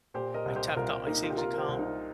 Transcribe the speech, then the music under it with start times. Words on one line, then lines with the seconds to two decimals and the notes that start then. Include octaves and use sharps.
I tapped out my savings account,
0.14 A#2 G4 C5
0.34 A#4 D#5
0.45 C2
0.56 G4 C5
0.67 C5
0.76 C2 F4 A#4
1.07 A#3 D#4
1.23 F4
1.30 G4
1.37 C3 F4 A#4
1.53 A#4
1.58 G4 C5
1.68 C2
1.79 D#4